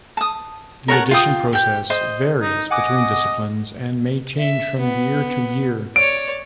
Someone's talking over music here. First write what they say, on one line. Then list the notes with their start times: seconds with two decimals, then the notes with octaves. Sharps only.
The audition process varies between disciplines, and may change from year to year.
0.17 A5 D#6
0.88 A#4 C#5 F#5 A5
1.11 F4 G5 D#6
1.53 G4 G5
1.90 C5 D#5
2.41 D#4
2.71 D#5 F#5 G#5 D6
4.38 E5
4.80 B3
5.96 C#5 D5 D7